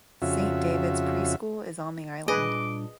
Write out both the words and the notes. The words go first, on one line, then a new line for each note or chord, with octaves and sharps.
Saint David's Preschool is on the island.
F2 C#3 F4 F#4 E5
A#2 G3 D4 G#4 B4 D#5 D6